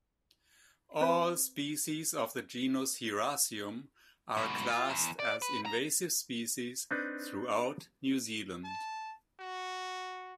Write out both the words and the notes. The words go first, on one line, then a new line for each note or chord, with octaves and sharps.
All species of the genus "Hieracium" are classed as invasive species throughout New Zealand.
C4 B4 C5 B5
G#2 B2
F4
E2
D5
B4
F#3 A#5
C4 D4 D#4 B4
A5
F#4